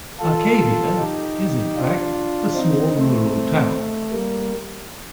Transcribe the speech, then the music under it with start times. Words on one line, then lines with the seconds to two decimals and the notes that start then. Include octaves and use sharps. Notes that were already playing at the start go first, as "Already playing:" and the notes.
Arcadia, is in fact a small rural town.
0.19 F4 A4
0.98 D#4 G4
1.76 D4 F4
2.54 C4 D#4
2.94 A3 C4
3.73 A3
4.12 G3 A#3